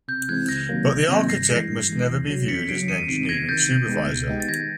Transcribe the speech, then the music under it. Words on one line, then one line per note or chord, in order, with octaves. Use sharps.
But the architect must never be viewed as an engineering supervisor.
C3 G6
E3 G#3 C4 F#6 G#6
C#2 G#6 A#6
C3 D#3 F#3 A#3
C#2
C3 D#3 F#3 A#3
G2 A#6 C7
E3 G#3
G2
E3 G#3
E2
C#3 F#3
E2 B6 C#7
C#3 F#3 C7 D7
E2 C#7 D#7
C3 D#3 C7 D7
E2 G#6 A#6
C3 D#3 G6 A6
B2
G#3 B3 D#4 G4
B2
G#3 B3 D#4 G4
A6
D#3 G#6 A#6